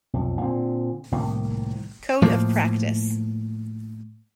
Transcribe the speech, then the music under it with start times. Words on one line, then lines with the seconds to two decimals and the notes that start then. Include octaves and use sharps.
Code of practice.
0.13 B1 F2
0.41 A#2 D3 C4
1.12 C2 A2 D#3 A#3
2.22 A2 F3 A#3